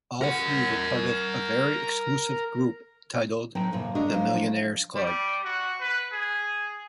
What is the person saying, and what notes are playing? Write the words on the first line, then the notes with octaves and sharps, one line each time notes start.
All three were part of a very exclusive group titled "the Millionaires' Club".
A#4 F#5
A2 F#3 C4 D#4 G5 A#5
F#2 A#2 C#3 F3
G2 A3 D4 F#4 D#5 A#5
F#3 C5 F5
F3 D4
G3
F#4
B4
G#4